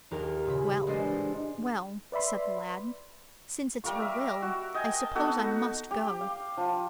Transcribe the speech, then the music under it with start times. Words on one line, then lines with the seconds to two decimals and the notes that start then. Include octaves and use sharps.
"Well, well," said the lad, "since it's her will, I suppose I must go."
0.11 D#1 D#2 G4 A#4
0.45 A#2 C#3 B5
0.87 A1 G#3 D4 C5 D#5
2.12 B4 D5 E5 B5 C6
3.84 G3 A#4 F5 C#6
4.02 E5
4.42 F#4
4.74 D#5 G5 G#5
5.02 A5
5.15 B3 D#4 F#4 A4
5.91 G4
6.21 F5
6.57 F3